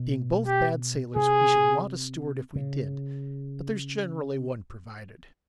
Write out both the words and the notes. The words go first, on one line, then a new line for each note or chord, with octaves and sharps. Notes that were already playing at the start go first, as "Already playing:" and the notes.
Being both bad sailors, we should want a Steward if we did; but there's generally one provided.'
Already playing: B2
G4
C3 G#4
C#3